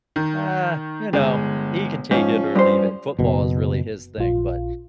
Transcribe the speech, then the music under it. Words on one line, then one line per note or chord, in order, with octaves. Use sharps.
uh, you know, he can take it or leave it. Football is really his thing, but,
D#3
G1 G#3
G#2 F3 C#4
G2 C5
F#1 B2
A#1 F4